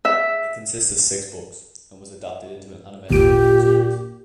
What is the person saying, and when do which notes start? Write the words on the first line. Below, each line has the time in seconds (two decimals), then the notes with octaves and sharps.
It consists of six books, and was adapted into an anime television series.
0.05 E5
3.10 G#1 D#2 A#2 G4 D7